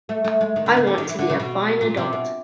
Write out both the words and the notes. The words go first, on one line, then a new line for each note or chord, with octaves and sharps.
I want to be a fine adult.
A3
A3
G#3
D#3
D3
C#3
D3
D#3
E3
D3
C#3
B2
A#2
C3
B2